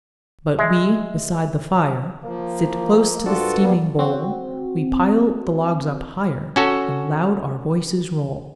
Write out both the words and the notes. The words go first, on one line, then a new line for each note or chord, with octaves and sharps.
But we beside the fire Sit close to the steaming bowl; We pile the logs up higher, And loud our voices roll.
G#3 E5
F3 A#3
C2 G2 D4 F4 F#4 A4 A5
G3 A#3 B3
C4 F#4
C#4 F#4 A4